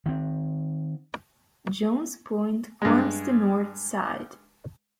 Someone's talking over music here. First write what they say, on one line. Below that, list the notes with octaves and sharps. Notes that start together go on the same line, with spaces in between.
Jones Point forms the north side.
D#3 C4
G2 G#3